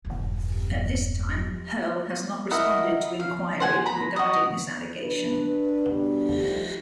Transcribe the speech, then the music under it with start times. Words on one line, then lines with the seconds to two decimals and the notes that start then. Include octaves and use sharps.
At this time Herle has not responded to inquiry regarding this allegation.
0.05 E1 G2
2.51 E4 A#4 D#5 F#5
3.20 F5
3.60 C5 F#5 G#5
3.86 A#5 B5
4.16 F#4 D#5
5.00 D4 B4
5.89 B2 G3 D4
6.39 F3 G3 A3 D#4 G4